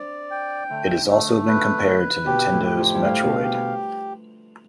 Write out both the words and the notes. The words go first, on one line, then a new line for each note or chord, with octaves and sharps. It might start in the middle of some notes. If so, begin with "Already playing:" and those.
It has also been compared to Nintendo's "Metroid".
Already playing: C4 D4 D5
G5
D3 A3
A3
B4
B4
B2 G4
A2
G4
F2
G2
A2 F5
B2
G4
B3